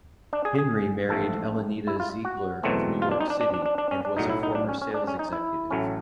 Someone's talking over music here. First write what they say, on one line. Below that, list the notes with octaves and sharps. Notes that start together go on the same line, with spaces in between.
Henry married Elenita Ziegler of New York City and was a former sales executive.
D4
G#4
G#4
A1 G#2 F3 A3 A4
E4
F4
F#4
E2 B2 F#3 A3 C4
F4
D4
D#4
D4
D4
D4
D4
D4
C#4
D4
B1 A2 F#3 D#4
E4
D#4
D4
C#4
C#4
D4
C#4
D#4
E4
A1 A2 F#3 A3 C#4